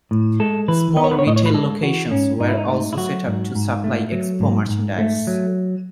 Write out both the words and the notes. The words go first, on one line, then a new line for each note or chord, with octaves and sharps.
Small retail locations were also set up to supply Expo merchandise.
A2
G#3 A4
E3 B4
B3 D#5
C#5
B4
C#5
A2 D#5
C#5
B4
G#3 A4
E3 F#4
G#2 C#4
G#2 D#4
E4
D#4
A3 D#4
E4
F#3 F#4
G#2
G#2
A3
F#3
G#2
G#2
A3
F#3